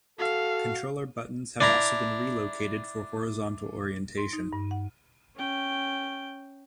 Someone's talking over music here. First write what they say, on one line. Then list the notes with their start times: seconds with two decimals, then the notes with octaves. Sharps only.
Controller buttons have also been relocated for horizontal orientation.
0.19 F#4 A4 F5
1.61 D4 E4 A#5
4.17 C6
4.33 D#4
4.53 G2
4.71 F#5
5.36 C#4 G5